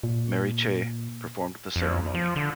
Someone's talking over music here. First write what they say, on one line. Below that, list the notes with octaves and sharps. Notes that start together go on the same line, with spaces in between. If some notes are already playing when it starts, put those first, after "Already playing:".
Mary Cheh performed the ceremony.
A#2
F2
F3
D3